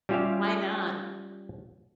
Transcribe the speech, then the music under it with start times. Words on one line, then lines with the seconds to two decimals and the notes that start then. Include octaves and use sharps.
Why not?
0.09 G3 C#4 F4 G4 E5 F5